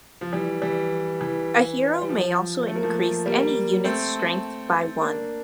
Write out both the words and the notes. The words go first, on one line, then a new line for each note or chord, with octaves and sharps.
A hero may also increase any unit's strength by one.
F3
E3 G3
E3 G3
E3
G3
F3
A3
A#3
F3 A3
G3 A#3
A3 C4
A#3 D4